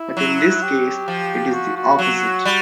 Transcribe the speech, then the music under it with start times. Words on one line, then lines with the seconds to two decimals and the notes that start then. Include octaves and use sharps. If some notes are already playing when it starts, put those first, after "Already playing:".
But in this case it is the opposite.
Already playing: E4
0.17 F#3
0.63 G4
1.08 F3
1.53 F#4
1.76 F#4
1.99 F#3
2.45 G3